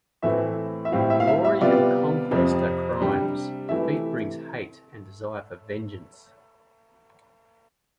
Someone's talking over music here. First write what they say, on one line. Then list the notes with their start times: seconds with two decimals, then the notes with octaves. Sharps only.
Glory and conquest are crimes; defeat brings hate and desire for vengeance.
0.23 A2 E3 A3 C4 E4 E5
0.85 E5
0.92 A2 G3 C4 E4 F5
1.10 E5
1.20 F5
1.27 E5
1.45 E5
1.61 C3 G3 B3 F4 D5
2.31 F2 C3 F3
3.01 C3 G3 D4
3.69 C3 E3 A3 E4 E5